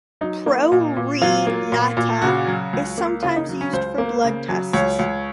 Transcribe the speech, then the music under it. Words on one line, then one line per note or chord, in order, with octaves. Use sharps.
"Pro re nata" is sometimes used for blood tests.
F#3 D#4
A#3
A#2
A#2
F#3 F4
A#3
A#2
A#2
C#3 F#4
F#3
C#2
A#3
C#3 F4
D#4
F#3
C#4
C#2 C5
A#3
C#3
F#3
C#2 C#5
C#2